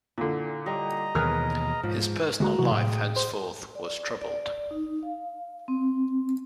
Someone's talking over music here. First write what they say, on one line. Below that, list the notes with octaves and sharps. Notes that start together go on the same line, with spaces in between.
His personal life henceforth was troubled.
A#2 D3 E4
G3 D#5 A#5
D#2 B2 E3 G#4 A#4 B4 C#5 F6
G#2 F3
D2 G#3 F#4 A#5
C3 E3 F#3 F#4
A2 G#4 G5
C5
D5
D5
D#4
F5
C4